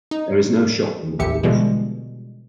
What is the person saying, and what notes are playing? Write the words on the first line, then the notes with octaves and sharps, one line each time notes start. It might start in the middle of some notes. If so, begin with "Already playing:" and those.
There is no shop in the village.
D#4
A1 D#2 E3 G4 E5 C#7
B2 D3 E3 F3 G3 G#3